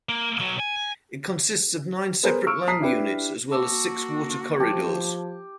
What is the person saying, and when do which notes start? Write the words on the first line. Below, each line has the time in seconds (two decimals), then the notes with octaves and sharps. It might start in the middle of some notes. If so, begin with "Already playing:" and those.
It consists of nine separate land units as well as six water corridors.
0.09 A#3
0.40 B1 F#3
0.60 G#5
2.23 B3 G#4 A#4 C5
2.47 C#6 E6 F6 D7
2.68 A5 A#5 D#6 B6 C7
2.80 D4 E4 G4 B4
3.51 A#3 F#4 A5 D6 E6
4.60 F3 G4 A5 G#6